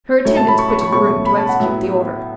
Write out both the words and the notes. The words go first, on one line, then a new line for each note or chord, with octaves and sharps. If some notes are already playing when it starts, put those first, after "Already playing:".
Her attendants quitted the room to execute the order.
A2 F#3 A3 C#4 C#5
A5
B5
C#6
C#6
C#6
B2 A3 C#4 C#6
B5
A5
F#5
A2 F#3 B3 E5